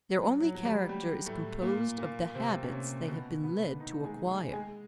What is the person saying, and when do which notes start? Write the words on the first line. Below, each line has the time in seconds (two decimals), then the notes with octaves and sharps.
Their only character is composed of the habits they have been led to acquire.
0.17 F#3
0.41 F#3
0.55 F#3
0.65 G3
0.89 G3
1.26 A2 A3
1.62 A#2 A#3
1.98 A#2 A#3
2.35 C3 C4
2.63 C#4
2.71 C3 C4
3.07 B2 B3
3.44 B2 B3
3.80 D#3 D#4
4.04 G#3 G#4
4.29 G#3 G#4
4.53 G#3 G#4